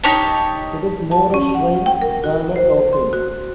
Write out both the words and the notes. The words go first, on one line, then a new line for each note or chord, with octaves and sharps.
It is more a shrine than a coffin.
D#4 G4 C#5 A5
A5
C#4
F#5
G5
A#4
F#4
C5
C6
F#4